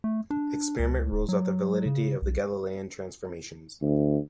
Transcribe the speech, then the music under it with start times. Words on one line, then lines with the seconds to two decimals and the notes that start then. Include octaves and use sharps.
Experiment rules out the validity of the Galilean transformations.
0.04 A3
0.30 D4
0.79 C#2
1.12 D1
1.29 F#3
1.86 C#3
2.22 B1
3.82 D2